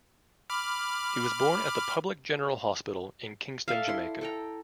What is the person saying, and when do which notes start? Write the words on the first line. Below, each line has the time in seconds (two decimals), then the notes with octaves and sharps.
He was born at the Public General Hospital in Kingston, Jamaica.
0.50 B5 D6 F6
3.68 A4 D5 E5 F5
3.88 E4 C6
4.21 A4 G5 A#5